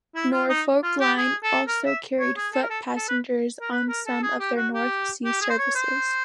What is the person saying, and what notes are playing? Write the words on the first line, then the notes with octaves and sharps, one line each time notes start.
Norfolkline also carried foot passengers on some of their North Sea services.
E4
F4
D#4
F4
G4
G#4
A4
A#4
E5
C#5
G#4
A4
A#4
A4
A4
B4
A#4
B4
A#4
A4
G#4
G4
F#4
G4
G4
G#4
C5
C#5
C5